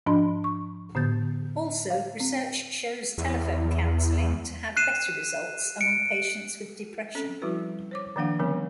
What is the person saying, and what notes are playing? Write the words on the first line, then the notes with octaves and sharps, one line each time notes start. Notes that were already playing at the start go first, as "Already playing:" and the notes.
Also research shows telephone counseling to have better results among patients with depression.
G#2 F3 D4 B5 C6
C#6
A2 D3 B3 G6 A6
F5
C4
E2
F#6 C7 D#7 E7
C#7 D7
C4 C#4 A4
F3 G3 E4 F#4 B4
C5 C#5 D6
D#3 F3 A#3 D4 F5 F#5
D3 E3 F3 G3 B3 C#4